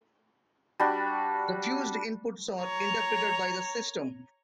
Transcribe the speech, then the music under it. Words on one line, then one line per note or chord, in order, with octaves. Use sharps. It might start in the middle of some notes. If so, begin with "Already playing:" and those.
The fused inputs are interpreted by the system.
G3 D4 F#4
C#5 A#5